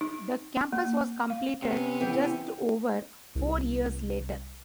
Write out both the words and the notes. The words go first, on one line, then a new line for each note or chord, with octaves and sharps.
The campus was completed just over four years later.
D#4
A#3
F5
C3 B3 C#4
E3 G5
C2